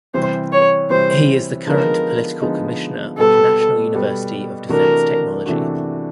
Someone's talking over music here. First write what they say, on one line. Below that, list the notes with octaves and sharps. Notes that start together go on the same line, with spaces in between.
He is the current Political Commissioner of National University of Defense Technology.
C3 E3 G3 C5
C#5
C3 E3 G3 C5
D3 F3 G#3 B3 D#4 A#4
D3 F3 G#3 B3 D#4
B2 G3 B3 A4
B2 G3 B3
C3 E3 A3 D4 F#4 A#4
C3 E3 A3 D4 F#4